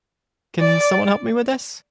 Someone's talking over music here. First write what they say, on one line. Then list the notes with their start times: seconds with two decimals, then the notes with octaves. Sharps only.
Can someone help me with this?
0.60 D5